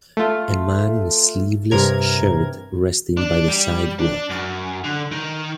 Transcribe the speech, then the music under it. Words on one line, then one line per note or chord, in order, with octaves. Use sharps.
A man in a sleeveless shirt resting by the sidewalk.
A3 F4
G2 C3 A#4 A#5 G#6
D4
G3
D4
F#2
D3
D#3